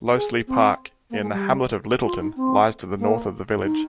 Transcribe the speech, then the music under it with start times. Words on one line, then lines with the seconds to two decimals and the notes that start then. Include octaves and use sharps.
Loseley Park, in the hamlet of Littleton, lies to the north of the village.
0.15 G#4
0.48 C4
1.10 A#3
1.21 G#3
1.31 G3
2.05 F4
2.20 D#4
2.36 C4
2.99 A#3
3.62 D#4